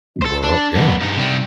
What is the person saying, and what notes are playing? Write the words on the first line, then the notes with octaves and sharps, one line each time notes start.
Worl Yeah.
A4 C5
D4
F#2 B3
G2 D#4
C3 G3